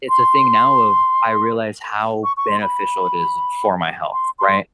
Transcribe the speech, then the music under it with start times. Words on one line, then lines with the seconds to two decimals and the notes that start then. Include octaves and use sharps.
it's a thing now of, I realize how beneficial it is for my health, right?
0.09 C6
2.24 C#6
2.37 C#6
2.48 C6
2.62 B5
4.13 C6
4.39 C6